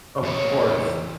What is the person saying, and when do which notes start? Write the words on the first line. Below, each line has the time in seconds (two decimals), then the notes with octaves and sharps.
Of course.
0.23 E2 C#5